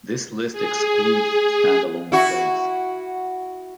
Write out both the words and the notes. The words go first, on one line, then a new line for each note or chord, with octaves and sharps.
This list excludes standalone plays.
G#4
E4 F#4